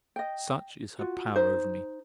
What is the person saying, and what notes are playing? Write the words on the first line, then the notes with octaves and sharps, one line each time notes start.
Such is her power over me!
D#5 G5
F4 F#4
D#4 C5